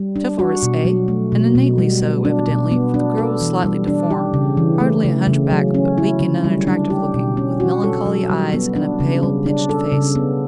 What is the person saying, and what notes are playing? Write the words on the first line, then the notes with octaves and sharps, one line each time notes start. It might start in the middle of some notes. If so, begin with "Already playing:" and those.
Chivalrous--eh?--and innately so, evidently, for the girl was slightly deformed: hardly a hunchback, but weak and unattractive-looking, with melancholy eyes, and a pale, pinched face.
Already playing: G3
D4
F#4
B2
F#3
A3
B2
B2
G3
B3
D4
B2
B3
D4
A4
E3
G3
D4
G4
C#3
E3
A3
C#3
C#3
F#3
C#4
E4
D3
G3
D4
G4
B2
C#4
F#4
A4
F#3
G3
B3
D4
C#3
G3
D4
A4
C#3
B3